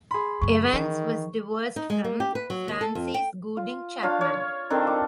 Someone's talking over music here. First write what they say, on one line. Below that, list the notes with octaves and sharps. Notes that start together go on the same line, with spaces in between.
Evans was divorced from Frances Gooding Chapman.
G#4 B5 C6
F#2 C#3 C#6
D#3 E3
D#4
G#3
A#3
G4
B4
F#3
D#2
A4
F2
G5
F4
D4 F4 C#5 F5
C#5
D#3 C4 D4 A4
D6